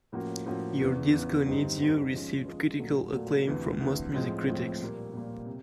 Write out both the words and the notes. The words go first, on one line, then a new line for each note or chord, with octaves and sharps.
"Your Disco Needs You" received critical acclaim from most music critics.
A2 F3 A#3 C#4 F#4
A2 F3 A#3 C#4 F#4
E2 C#3 E3
E2 C#3 E3
G2 D3 G3 C4 D#4
G2 D3 G3 C4 D#4
F3 G#3 C#4
F3 G#3 C#4
A#2 F#3 A3
A#2 F#3 A3
D2 C3 E3
D2 C3 E3
A2 F3 G#3 C4
A2 F3 G#3 C4
A#2 G3 A#3
A#2 G3 A#3
C3